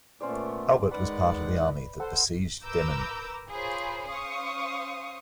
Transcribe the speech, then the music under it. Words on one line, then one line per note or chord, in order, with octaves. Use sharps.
Albert was a part of the army that besieged Demmin.
A#2 A3 B3 C#4 C5 D5
D#3 G#3 B4 D5 F#5 D6
A4 C5 F#5
A#4 B4 A#5 D6 E6 G6
F4 G#4 A#4 C5 C#5 B5
C#4 C5 F5 C#6 D#6